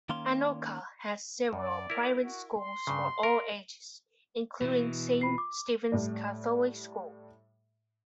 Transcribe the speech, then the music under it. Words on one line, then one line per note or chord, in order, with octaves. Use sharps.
Anoka has several private schools for all ages, including St. Stephens Catholic School.
D#3 A#3 C#4 F5 C6
F#2 D5
E4 A#4
F#4
C6
G2 C#3
A#4
B2 E3
F4 B5 C7
D6
A2 G3